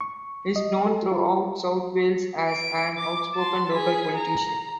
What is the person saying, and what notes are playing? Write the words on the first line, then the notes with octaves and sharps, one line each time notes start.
He is known throughout South Wales as an outspoken local politician.
C#6
D#5
A4
F4
D7
D6
A5 C6
G#4 B6
A#5